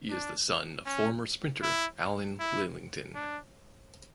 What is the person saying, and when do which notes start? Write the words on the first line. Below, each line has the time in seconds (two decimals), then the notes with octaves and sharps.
He is the son of former sprinter Alan Lillington.
0.10 D4
0.86 C#4
1.63 E4
2.39 E4
3.15 D4